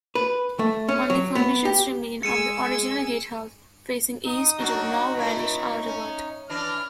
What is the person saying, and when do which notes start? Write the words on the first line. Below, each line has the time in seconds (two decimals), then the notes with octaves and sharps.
Only foundations remain of the original gatehouse, facing east into the now-vanished outer ward.
0.15 B4
0.59 A3
0.89 C#4
1.10 F#3
1.35 B3
1.65 G4
2.23 G#3 G#4 G#5 E6 C#7 D#7
4.25 D#4 D#6
4.59 F#3 D4 F#4
5.15 A#2 C#4 E4 C#6
5.86 C#4
6.50 E3 D4 F6